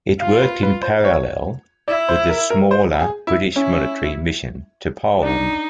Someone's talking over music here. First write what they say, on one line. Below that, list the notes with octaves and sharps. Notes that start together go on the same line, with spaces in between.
It worked in parallel with the smaller British Military Mission to Poland.
F4 F5
B4
B4
C5
C#5
E4 D5
C5
A#4
A#4
C5
G#4
E4
C#4 E4
D4 D#4